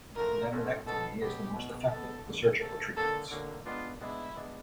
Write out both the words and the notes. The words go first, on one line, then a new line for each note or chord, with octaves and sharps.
Laminectomy is the most effective of the surgical treatments.
A2 F3 A3 C#4 F#4 A#4
A2 F3 A3 C#4 F#4
B2 F#3 B3 A4
B2 F#3 B3 G4
B2 F#3 B3
B2 F#3 B3 A4
D3 F#3 A#3
D3 F#3 A#3 A4
D3 F#3 A#3 A4
D3 F#3 A#3
G#3 B3 D4 F4
G#3 B3 D4 E4
G#3 B3 D4